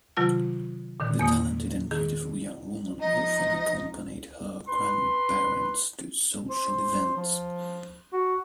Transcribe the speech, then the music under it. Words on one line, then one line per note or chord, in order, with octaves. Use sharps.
The talented and beautiful young woman often accompanied her grandparents to social events.
C3 D#3 F#3 F4 A5 F6
A#2 D3 D#3
E2 A#3 D#6
D#3 G#4
F3 D#4 D#5
B4 C6
C5
F3
F#4